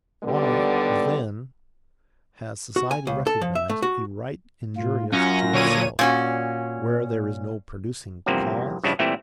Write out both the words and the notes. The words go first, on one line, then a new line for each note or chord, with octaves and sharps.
Why, then, has society recognized a right injurious to itself, where there is no producing cause?
D#2 D3 G3 B3
F#4
G#5
C#2
A4
F3
E5
A3
F#4
A2 F4
F#2 C#4 F4 A#6
D2 A#2 C#5 D#7
A#2 C#4 F#4
E2 G2 C3 F3 A#3 C4
G2 C#3 F3 D4 E4
A#2 E3 G3 A3 C4 E4